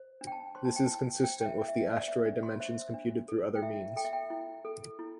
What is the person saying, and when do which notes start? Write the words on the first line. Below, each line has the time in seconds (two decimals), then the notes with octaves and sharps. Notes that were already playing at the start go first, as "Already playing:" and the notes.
This is consistent with the asteroid dimensions computed through other means.
Already playing: C5
0.21 D4
0.27 G5
0.32 A5
0.55 C5 C6
0.65 A5
0.76 G5
0.86 E4 A5
1.24 C5 G5
1.41 G5
1.46 E5
1.57 E4
1.68 E5
1.91 C5 D5
2.08 E5
2.25 D4
2.43 C6
2.60 C5 E5
2.94 D4
3.28 A4
3.55 G5
3.62 E4 E5
3.96 A4 G5
4.05 E5
4.13 G5
4.30 E4
4.65 A4
4.99 E4